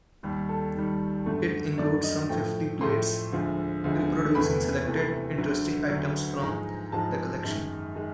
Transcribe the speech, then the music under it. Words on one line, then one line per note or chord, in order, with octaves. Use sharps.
It includes some fifty plates, reproducing selected interesting items from the collection.
D#2 D#3 G3
A4
D#2 D#3 G3
F#2 D3 F#3 A3
F#2 D3 F#3 A3 D5
D#5
A2 F3 A3 G5
A2 F3 A3 C6
D2 D3 F3 G#3
D2 D3 F3 G#3
E2 C3 E3 A3 B5
E2 C3 E3 A3
D2 D3 F#3
D2 D3 F#3
G#2 F3 G#3 A#5
G#2 F3 G#3 A5
F#2 D#3 G#3
D#3 G#3